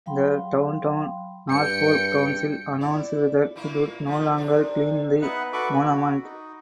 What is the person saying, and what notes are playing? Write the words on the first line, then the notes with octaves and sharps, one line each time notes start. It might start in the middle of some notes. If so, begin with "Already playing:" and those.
The Downtown Norfolk Council announced that it would no longer clean the monument.
F#3 F5 G5 B5 C6
G2 G5 C#7
E4 D5
A#2 A#3 E4
F3 A3 D#4
C3 D4 D5
B3 D#4 B4 E5 F#5 F#6
F#4 A4 B4 B5 C#6 D6
F#4
D#4